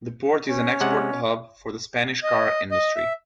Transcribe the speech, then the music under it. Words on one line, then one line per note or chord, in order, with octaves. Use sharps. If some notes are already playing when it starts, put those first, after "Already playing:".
The port is an export hub for the Spanish car industry.
C#4
C3 G#3 F#5
D#5
D#5
E5